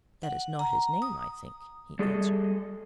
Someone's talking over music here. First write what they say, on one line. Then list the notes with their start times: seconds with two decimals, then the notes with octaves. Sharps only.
"That is not his name, I think," he answered.
0.23 F#5
0.59 A#5
1.02 D#6
1.99 G3 G#4 A4